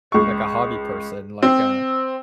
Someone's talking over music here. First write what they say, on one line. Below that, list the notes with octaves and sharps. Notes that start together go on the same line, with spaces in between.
like, a hobby person, like, uh,
C#2 C#6
C4